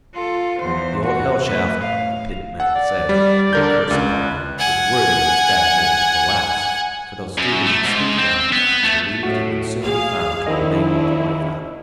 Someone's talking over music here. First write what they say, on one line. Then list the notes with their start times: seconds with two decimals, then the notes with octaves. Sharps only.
The Old Hell Shaft, the pitman said, with a curse upon it, was worthy of its bad name to the last; for though Stephen could speak now, he believed it would soon be found to have mangled the life out of him.
0.14 F4 A4
0.59 E2 C5
1.03 F#4
1.47 A3 B4
1.78 A2 F5
2.60 A4 F#5
2.75 D5
3.09 G3
3.53 D3 A#4 G6
3.91 C#2
4.21 B4
4.59 F#5 G#5
7.38 F#2
7.66 A3
7.84 G#2
8.18 C4
8.52 B3
8.83 A3
9.23 A2 F#4
9.83 G#4 F5
10.46 A#1 D#3 E4 D#5